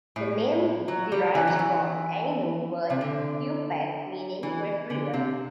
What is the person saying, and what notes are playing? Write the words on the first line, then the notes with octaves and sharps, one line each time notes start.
The name derives from Ainu word "hure-pet", meaning "red river".
A2
F#3
G3
E3
F#3
E3
C3
D3
E3
D3
C3